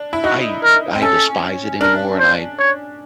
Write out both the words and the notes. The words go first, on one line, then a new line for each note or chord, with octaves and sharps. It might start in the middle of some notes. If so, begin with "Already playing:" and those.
I t I despise it anymore, and I
Already playing: D4
E4
D#4 F#4
A#4
C4
C#4 A4
D4 A#4
C5
C#5